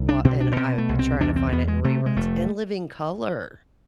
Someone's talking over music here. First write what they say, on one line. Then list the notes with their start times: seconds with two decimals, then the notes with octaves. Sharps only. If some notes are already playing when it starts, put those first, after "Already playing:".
what and I'm tryna find it in reruns In Living Color.
Already playing: C2
0.09 D4
0.25 B2 C4
0.40 D4
0.57 B2 C4
0.78 A3
0.89 C2
0.99 C4
1.20 E2 D4
1.36 C4
1.52 E2 B3
1.68 G#3
1.84 C3 A3
2.06 G#3
2.16 F1 A3